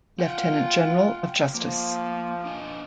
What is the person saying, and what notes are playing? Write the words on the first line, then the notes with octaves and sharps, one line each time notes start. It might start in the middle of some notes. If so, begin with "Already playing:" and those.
Lieutenant General of Justice.
F4 F#5 G5
F3 A#3
D4 D#5 G#5